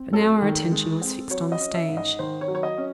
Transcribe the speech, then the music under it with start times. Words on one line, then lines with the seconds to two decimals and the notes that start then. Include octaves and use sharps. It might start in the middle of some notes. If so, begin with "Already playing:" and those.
But now our attention was fixed on the stage.
Already playing: C4
0.13 F#2 A4
0.42 D#3
0.72 G#3
1.02 C4
1.30 F#3 C#5
1.52 D#5
1.60 C#4
1.75 E5
1.89 G#2
1.97 D#5
2.19 D#3 C5
2.41 C#5
2.48 F#3
2.55 C#5
2.63 D#5
2.78 C#4